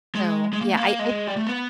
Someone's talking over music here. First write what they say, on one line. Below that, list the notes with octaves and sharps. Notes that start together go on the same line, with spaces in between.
So, yeah, I I
G#3
G#3
A#3
A3
A#3
G#3
G3
A3
B3